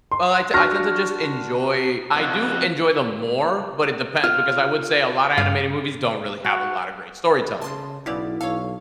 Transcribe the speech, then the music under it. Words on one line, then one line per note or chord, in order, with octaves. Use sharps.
Well, I te I tend to just enjoy I do enjoy them more, but it depends, because I would say a lotta animated movies don't really have a lotta great storytelling;
C6
D4 F#4 C6 C#6 F6 A#6
F2 F#4
F4 F6
G2 F5
F#4
C#3 A5 C6
B1 C#3 B3 E4 D5
B1 A4 C#5 F5